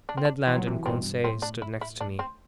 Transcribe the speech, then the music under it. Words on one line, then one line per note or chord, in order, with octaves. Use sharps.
Ned Land and Conseil stood next to me.
D4
C4
D4
E3 C4
F#3
C3 E3
G2 B2 C4
A2 C4
D4
E4
E4
D4
C4